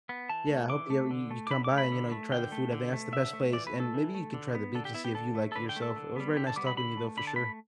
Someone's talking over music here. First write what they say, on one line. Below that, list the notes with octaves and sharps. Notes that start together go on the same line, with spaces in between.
Yeah, I hope you ever you you come by, and, you know, you try the food. I think that's the best place, and, maybe, you can try the beach, and see if you like it yourself. It was very nice talking to you, though, for sure.
B3
E3 A5
A3
E3 D6
A3
D3
A3
D6
D3 B5
D6
A3
B5
D3
A3
D3 G5
A3
D3
A3
D3 E5
A3
E3 D5
B4
A3
A4
E3
A3
D3
B3
D3 A4
G4
B3 E4
G4
D3 A4
A3
A4
D3 B4
G5
A3
A4
D3
G3 B3
D3 G4
A5
G3 B3 D6
B5
D3 B5
A3
D3 B5
A5
A3 B5